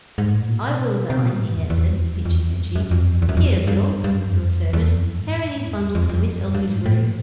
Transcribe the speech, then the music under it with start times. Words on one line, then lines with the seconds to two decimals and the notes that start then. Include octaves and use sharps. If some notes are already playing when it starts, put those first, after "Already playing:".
"I will, darling," he answered, pinching her cheek, "Here, Bill"--to a servant--"carry these bundles to Miss Elsie's room."
0.18 G#2
0.34 A2
0.49 A#2
0.64 B2
1.10 C3
1.17 B2
1.25 A#2
1.39 G#2
1.55 E2
1.70 E2
1.85 F2
2.00 E2
2.15 F2
2.25 F2
2.31 E2
2.46 F2
2.61 G2
2.75 F#2
2.91 F2
3.22 E2
3.29 F#2
3.37 F2
3.52 G2
3.67 G2
4.04 G2
4.13 F#2
4.28 F2
4.73 E2
4.88 F2
5.03 F#2
5.18 G#2
5.34 A2
5.49 G#2
5.65 E2
5.95 F2
6.09 F2
6.24 F#2
6.40 G2
6.55 G2
6.71 G#2
6.86 A2
7.01 A#2